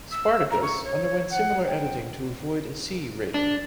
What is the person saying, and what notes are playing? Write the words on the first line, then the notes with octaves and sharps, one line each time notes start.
"Spartacus" underwent similar editing to avoid a C rating.
E6
A#5
C#6
C#5
F#5
G5
D4